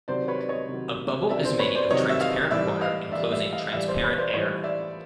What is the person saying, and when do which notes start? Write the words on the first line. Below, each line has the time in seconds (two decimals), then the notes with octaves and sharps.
A bubble is made of transparent water enclosing transparent air.
0.08 C3 D#3 F#3 C5 D5
0.28 B4 C#5
0.39 D5
0.49 C#5 D#5
0.69 C3 D#3 F#3
1.29 C3 D#3 F#3 D5 E5
1.45 C5 D5
1.60 B4 C#5
1.75 C5 D5
1.91 C3 D#3 F#3 C#5 D#5
2.09 E5
2.20 D#5 F5
2.51 A2 E3 G3 D5 E5
2.81 D#5 F5
3.12 A2 E3 G3 D5 E5
3.24 D#5
3.32 D5 E5
3.53 D#5 F5
3.69 F5
3.72 A2 E3 G3 D5 E5
3.88 C5 D5
4.04 B4 C#5
4.18 C5 D5
4.33 A2 E3 G3 C#5 D#5
4.64 D5 E5